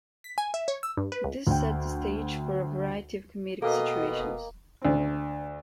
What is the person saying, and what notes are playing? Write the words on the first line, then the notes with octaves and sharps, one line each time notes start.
This set the stage for a variety of comedic situations.
B6
G#5
E5
C#5
E6
G2
B4
C#2
D2 G5
B2 A#3 A4 D#5 G5
D2 C4